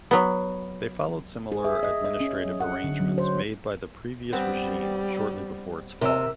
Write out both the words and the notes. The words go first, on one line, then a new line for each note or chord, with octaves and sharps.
They followed similar administrative arrangements made by the previous regime shortly before its fall.
F#3 B3
G#4
E5
D#5
D#5
C#4
F#3
F#5
D3
F#3
C5
G2 G3 B3 C4
C3 A#4 E6